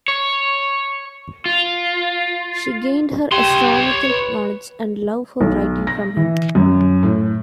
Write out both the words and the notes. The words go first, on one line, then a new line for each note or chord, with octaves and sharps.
She gained her astronomical knowledge and love for writing from him.
C#5
F4
G4 C#5 C6
B4
B1
A#6
E3
F#2
A2